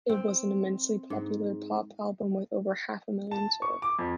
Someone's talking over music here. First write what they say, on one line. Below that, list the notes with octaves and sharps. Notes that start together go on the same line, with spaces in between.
It was an immensely popular pop album with over half a million sold.
C4
G#2
A5
C#6
D6
F2